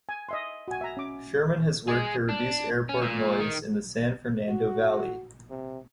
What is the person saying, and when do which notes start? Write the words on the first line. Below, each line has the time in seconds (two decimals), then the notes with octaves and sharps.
Sherman has worked to reduce airport noise in the San Fernando Valley.
0.09 G#5
0.29 D#5 E5 C6
0.68 F#4 G#5
0.81 E5 A#5
0.97 C#4 D6
1.88 G#3 G#4
2.29 D4
2.89 C#4
3.02 A#2
3.40 D#3
4.48 F#4
5.50 C3